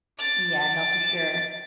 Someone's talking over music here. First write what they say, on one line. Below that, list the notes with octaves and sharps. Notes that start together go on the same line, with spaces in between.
Yeah, no, for sure.
A6 D7